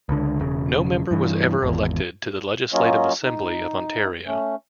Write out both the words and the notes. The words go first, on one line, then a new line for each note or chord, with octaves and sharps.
No member was ever elected to the Legislative Assembly of Ontario.
C#2 D3
E1 C#3
G2 E3
G#1 E2
F#3 A#3 C#4 F4 C#5 D#5
D#4
A3 C#4